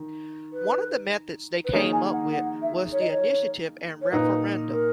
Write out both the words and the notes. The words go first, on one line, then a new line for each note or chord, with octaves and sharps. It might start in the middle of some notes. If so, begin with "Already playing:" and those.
One of the methods they came up with was the initiative and referendum.
Already playing: D#3
B4
B4
D#3 A#3 D#4 G#4 C#5
G#5
F#5
F#5
E5
C#5
D#5
C#5
C#5
A#2 A#3 D#4 B4
A#4